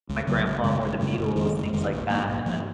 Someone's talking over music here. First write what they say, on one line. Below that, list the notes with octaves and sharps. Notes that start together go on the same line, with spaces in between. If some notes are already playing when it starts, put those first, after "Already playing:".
my grandpa, more the Beatles things like that, and then
C#2
C#3 F#3 A#3
G#1
F#2 C#3 G#3
G#1
F#2 C#3 G#3
F#1
F2 D#3 G#3
F#1
F2 D#3 G#3
A#1
G#2 F3 A#3
A#1
G#2 F3 A#3